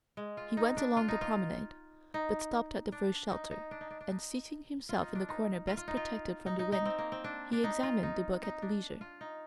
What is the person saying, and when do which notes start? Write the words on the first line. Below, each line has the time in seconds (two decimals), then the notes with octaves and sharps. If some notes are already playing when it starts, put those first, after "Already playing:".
He went along the promenade, but stopped at the first shelter, and seating himself in the corner best protected from the wind, he examined the book at leisure.
0.17 G#3
0.37 F4
0.57 D#4
0.77 D4
0.97 F4
1.08 D#4
1.21 F4
2.14 D#4
2.92 D4
3.32 D#4
3.51 D#4
3.71 D4
3.81 D#4
3.91 D4
4.01 D4
4.11 D#4
4.89 F4
5.01 D#4
5.15 D4
5.29 D#4
5.67 F4
5.77 F4
5.88 D#4
5.97 F4
6.46 D#4
6.59 D#4
6.72 D#4
6.85 C4
6.98 A#3
7.12 C4
7.24 D4
7.53 D4
7.64 D#4
7.83 F4
8.03 D#4
8.43 D#4
8.62 D4
9.01 F4
9.21 D#4